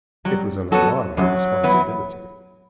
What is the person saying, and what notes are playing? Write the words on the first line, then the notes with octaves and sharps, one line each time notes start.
It was an alarming responsibility.
F#3 G3
F#3 B3 F#4 A4
F#2 F#3
E3 B3